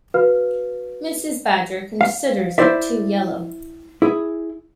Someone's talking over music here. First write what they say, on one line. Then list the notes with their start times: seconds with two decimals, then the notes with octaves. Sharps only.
Mrs. Badger considers it too yellow.
0.14 F#4 B4 F5 F6
2.01 F5
2.58 E4 C5 D5 E5
4.02 E4 G#4